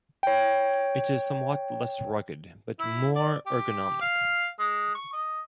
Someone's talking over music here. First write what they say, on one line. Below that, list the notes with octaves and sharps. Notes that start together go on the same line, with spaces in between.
It is somewhat less rugged, but more ergonomic.
C#5 G5
E4
D5
G4
F5
G#3
C#6
D#5